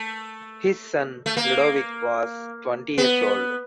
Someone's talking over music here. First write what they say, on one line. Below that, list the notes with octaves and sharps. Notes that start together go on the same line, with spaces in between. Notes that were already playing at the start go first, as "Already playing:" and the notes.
His son Ludovic was twenty years old.
Already playing: A3
A3
A#3
B3